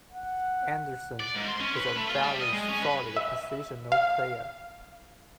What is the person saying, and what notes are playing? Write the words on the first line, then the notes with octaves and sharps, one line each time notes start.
Andersson is a very solid positional player.
F#5
D5
G#2
C6
C#4
B4
A3
F4
G3
D#5
G#3
C#4
B4
E5
F5